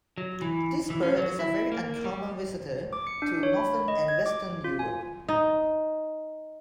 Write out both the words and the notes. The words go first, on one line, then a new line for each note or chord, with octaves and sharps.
This bird is a very uncommon visitor to northern and western Europe.
F#3
E3
E3
C#4
F#3
E4
A#3
G3
D6
C#7
D4
C#5
B5
D#5
G#6
D6
F4
G#5
D#4